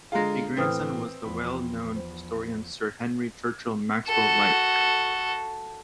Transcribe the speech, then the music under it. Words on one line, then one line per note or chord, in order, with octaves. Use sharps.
A grandson was the well known historian Sir Henry Churchill Maxwell-Lyte.
D3 G#3 F4 G#4 F5 A#5 A#6
A2 E3 C4 B4 G5 D#6 F6
E2 F3 B5
C5
F#4 A4